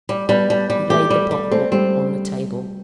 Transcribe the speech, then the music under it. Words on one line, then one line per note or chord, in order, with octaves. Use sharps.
He laid the pocket-book on the table.
G3
G3 B3 B4
G3
G3
A3 G4 A4
G3
G3
A3 C4 A4
G3 C4 G4